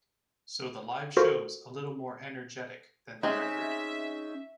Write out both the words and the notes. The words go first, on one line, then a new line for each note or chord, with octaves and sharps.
So the live show's a little more energetic than the record.
F4 F#4 A4 A#4 C5 C#6
G#3 C4 C#4 D#4 G#4 E5